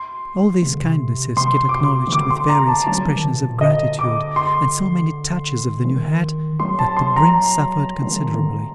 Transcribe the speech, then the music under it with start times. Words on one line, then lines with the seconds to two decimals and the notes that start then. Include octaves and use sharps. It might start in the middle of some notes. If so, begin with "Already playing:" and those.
All these kindnesses, Kit acknowledged with various expressions of gratitude, and so many touches of the new hat, that the brim suffered considerably.
Already playing: C6
0.62 C3
0.72 D3
0.81 C3
1.37 C3 C6
1.69 D6
1.74 C6
2.07 D#3
2.12 D3 D6
2.30 C6
2.49 A#5
2.68 A5
2.87 F#3 A5
3.05 D#3
3.24 C3
3.42 A#2
3.61 D3 D#5
3.99 D6
4.36 C6
5.85 D#3
6.60 F#3 C6
6.79 A5
6.97 C6
7.16 A#5
8.02 F#3
8.09 D#3
8.34 D3